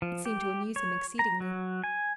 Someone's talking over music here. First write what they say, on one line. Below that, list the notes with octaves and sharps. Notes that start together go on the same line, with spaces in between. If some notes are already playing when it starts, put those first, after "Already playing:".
It seemed to amuse him exceedingly.
F3
G4
C#5
A#5
F#3
G#5